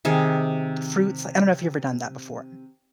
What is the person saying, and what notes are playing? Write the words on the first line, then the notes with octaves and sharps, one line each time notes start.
fruits li I don't know if you've ever done that before.
C3 D#3 G#4